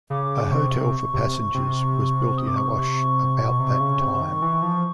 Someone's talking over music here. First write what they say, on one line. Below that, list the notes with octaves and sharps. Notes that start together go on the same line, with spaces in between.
A hotel for passengers was built in Awash about that time.
C#3 D6
C3 C#6
C3
C3
D#6
D6
C#6
B2
C3
C#3
C3
D#3
E3
F3